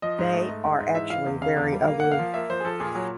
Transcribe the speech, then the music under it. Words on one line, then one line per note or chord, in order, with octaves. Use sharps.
They are actually very ugly.
F3 D#5
G#2
A3
G#2
G#2
G#2
E3 E5
E3 F5
E2
C#3 F5
E2
G3
A#3 F5
A#3 F#5
F5
F3
A#3 E5
F3 C5
G#4
F3 A4
A#2 G#4
F#3